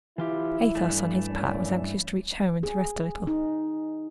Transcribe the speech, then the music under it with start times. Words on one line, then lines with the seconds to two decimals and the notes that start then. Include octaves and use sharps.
Athos, on his part, was anxious to reach home and to rest a little.
0.18 E3 E4 F4 G4
0.75 G2 E3 A3
1.31 A#3 C#4 D5
2.63 G#4
3.27 D#4